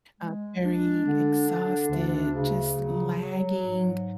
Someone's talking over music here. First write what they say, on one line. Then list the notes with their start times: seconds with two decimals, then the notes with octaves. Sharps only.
Uh, very exhausted, just lagging,
0.19 G#3
0.62 D4
1.05 D3
1.48 D4
1.90 D2
2.33 C#3
2.76 F#3
3.18 F#3
3.61 G#2